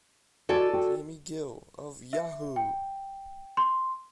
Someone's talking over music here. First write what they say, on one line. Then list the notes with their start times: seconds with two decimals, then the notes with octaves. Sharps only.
Jaime Gill of Yahoo!
0.49 F#4 A4 D5 D#5 G#5
0.73 F#4 G5
2.13 E5
2.56 G5
3.57 C6